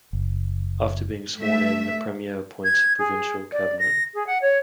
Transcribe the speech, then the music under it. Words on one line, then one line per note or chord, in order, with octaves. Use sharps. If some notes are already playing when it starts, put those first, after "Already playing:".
After being sworn in, the Premier appoints a provincial cabinet.
F#1
A3 E5
G#6
G#4
D5
A#6
G#4
F#5
C#5